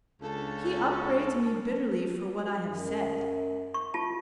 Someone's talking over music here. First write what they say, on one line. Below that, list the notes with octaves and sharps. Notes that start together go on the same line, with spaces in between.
"He upbraids me bitterly for what I have said."
C#2 C#4 D4 A4 A5
F#2
C#6
F4 A5